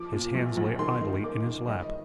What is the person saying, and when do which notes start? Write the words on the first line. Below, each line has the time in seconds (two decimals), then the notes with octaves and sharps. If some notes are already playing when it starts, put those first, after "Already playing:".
His hands lay idly in his lap.
Already playing: F3 D6
0.12 A#2
0.35 A#1
0.57 A#1
0.79 D#3 C6
1.01 D#3
1.24 A#3 D6
1.47 D#3
1.68 G1 D#5